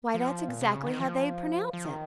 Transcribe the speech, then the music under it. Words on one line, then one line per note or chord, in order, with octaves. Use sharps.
"Why, that's exactly how they'd pronounce it!"
F3
A#2
C3
C#3
D#3
F3
F3
D#3